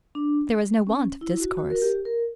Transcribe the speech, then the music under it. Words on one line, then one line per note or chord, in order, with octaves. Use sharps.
There was no want of discourse.
D4
C#4
E4
F#4
F#4
A#4
G4
A#4